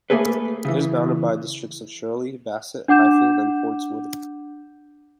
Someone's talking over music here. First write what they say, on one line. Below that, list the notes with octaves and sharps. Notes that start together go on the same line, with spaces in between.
It is bounded by the districts of Shirley, Bassett, Highfield and Portswood.
A3 A#3 G#4 A4 B4
C#3 E3
D4 F#5 D6 G6 E7